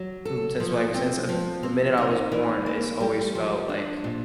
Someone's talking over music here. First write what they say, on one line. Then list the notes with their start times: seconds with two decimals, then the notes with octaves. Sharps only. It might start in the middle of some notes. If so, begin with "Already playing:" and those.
n since, well, I was since, uh, the minute I was born, it's always felt like
Already playing: F#3
0.25 A4
0.60 F3
0.94 C4
1.29 F3
1.63 C4
1.97 D#4
2.32 E3
2.66 A#3
3.00 G3
3.35 F3
3.69 D4
4.04 A#2